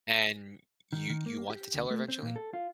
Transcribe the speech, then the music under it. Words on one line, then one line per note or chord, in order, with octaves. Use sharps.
And you you want to tell her eventually?
D#3
D#3
A#3
G4
D2
A3
C4
A#2
A4
F4